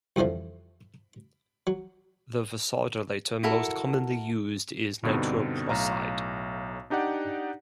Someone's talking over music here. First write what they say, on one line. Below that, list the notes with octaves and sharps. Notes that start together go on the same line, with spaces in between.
The vasodilator most commonly used is nitroprusside.
C2 F2 D3 E3 F3
F#3
E4 F#4 A4 A#4
G2 B2 D3 C4 D#4
B1 A2 F5 A#5
D4 D#4 G4 D5 F#5